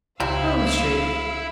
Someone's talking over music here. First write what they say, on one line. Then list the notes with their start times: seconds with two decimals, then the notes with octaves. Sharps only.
Groome Street.
0.20 C#2 C3 E4 F5 E6